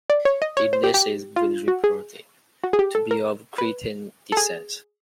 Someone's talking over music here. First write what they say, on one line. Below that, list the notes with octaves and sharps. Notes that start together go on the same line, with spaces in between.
Ignatius was reported to be of Cretan descent.
D5
C#5
D#5
C#5
C5
G4
G4
F4
F#4
G#4
F#4
G#4
G4
A4
A#4
B4
A4
G#4